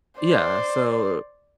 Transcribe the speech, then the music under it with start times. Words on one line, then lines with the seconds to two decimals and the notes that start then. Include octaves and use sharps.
Yeah, so
0.20 C5 D5